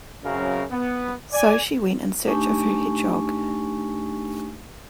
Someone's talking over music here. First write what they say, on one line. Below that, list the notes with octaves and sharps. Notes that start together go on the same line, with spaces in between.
So she went in search of her hedgehog.
F#2 C#3 F#3 C4 A#4 F5
B3
D5 G#5
A3 D4 D#4 G4 G#5 C#6